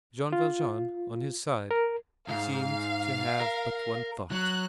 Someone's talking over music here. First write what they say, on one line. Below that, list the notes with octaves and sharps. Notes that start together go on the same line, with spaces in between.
Jean Valjean, on his side, seemed to have but one thought.
F4
A#4
C2 G#2 F5
A#4
F#3 F#6